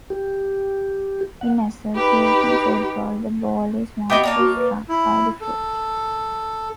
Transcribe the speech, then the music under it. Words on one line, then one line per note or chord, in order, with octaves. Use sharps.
In association football, the ball is mostly struck by the foot.
G4
F#5
D#4 G4 B4 B5
B3 E4 G4 D#5 G5 D6
A#3 C#5 D5 A5
F#4
B4
E4
A4